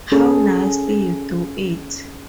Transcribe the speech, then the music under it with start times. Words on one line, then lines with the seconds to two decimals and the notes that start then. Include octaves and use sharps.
How nicely you do it!
0.12 C#4 G#4 A4